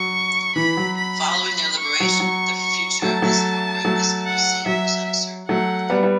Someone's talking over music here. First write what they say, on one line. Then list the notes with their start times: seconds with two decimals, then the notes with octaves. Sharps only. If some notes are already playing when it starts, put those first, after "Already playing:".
Following their liberation, the future of this former episcopal seat was uncertain.
Already playing: F#3 C#6
0.56 E3 B5
0.77 F#3
0.97 B5
1.79 C#6
2.00 F#3
2.20 F#3
2.61 C#6
3.02 F#3 A3 A5
3.22 F#3 A3
3.84 F#3 A3
4.26 F#5
4.66 F#3 E5
5.48 F#3 A3 F#5
5.90 G3 B3
6.03 G3 B3